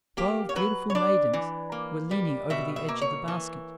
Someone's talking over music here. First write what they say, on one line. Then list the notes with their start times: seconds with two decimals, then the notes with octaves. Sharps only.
Twelve beautiful maidens were leaning over the edge of the basket.
0.17 A#3 G4
0.49 C#5
0.56 F#3 B4
0.90 C#5
0.95 D4 D5
1.33 E3
1.72 A#3
2.11 G3
2.50 B2 E5
2.76 E5
2.88 A#3
3.01 C#5
3.28 E3